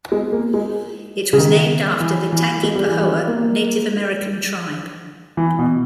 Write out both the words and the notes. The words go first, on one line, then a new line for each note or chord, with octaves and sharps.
It was named after the Tangipahoa Native American tribe.
G#3
A#3
G#3
C#3
D#3
E3
E3
G#3
G3
E3
G3
A#3
E3
B2